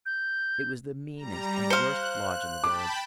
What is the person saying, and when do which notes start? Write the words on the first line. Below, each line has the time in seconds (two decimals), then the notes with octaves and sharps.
It was the meanest and worst lodge in the village.
0.06 G6
1.16 G3 A#5
1.70 C5 F5 F#6 C#7
2.64 G5 A5 B5 D6